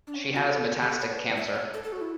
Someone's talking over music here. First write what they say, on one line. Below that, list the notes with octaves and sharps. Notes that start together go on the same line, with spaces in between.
She has metastatic cancer.
D4
C#4
F#4
A4
G4
A4
C#5
D5
B4
D5
E5
D5
C#5
A4
A4
F#4
E4